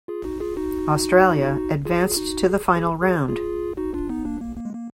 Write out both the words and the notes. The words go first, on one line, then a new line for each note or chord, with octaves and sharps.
"Australia" advanced to the Final Round.
F4 G#4
D#4 F#4
F4 G#4
D#4 F#4
F4 G#4
F4
D#4 F#4
G#4
G#4
G#4
F4 G#4
D#4 F#4
D4 F4
B3 D#4
A#3 D4
A#3
A#3
G#3
A#3